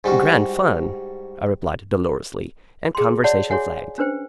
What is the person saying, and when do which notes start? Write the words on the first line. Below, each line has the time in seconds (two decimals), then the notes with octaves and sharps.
"Grand fun!" I replied, dolorously; and conversation flagged.
0.04 G#2 G3 F#4
2.95 G#4 G5 C6
3.24 F#4 C#5 D5 E5 F#5 A5
3.50 F#4 G#4 C#5 E5 F#5 G#5
3.98 C#4 D4 B4 C5 G5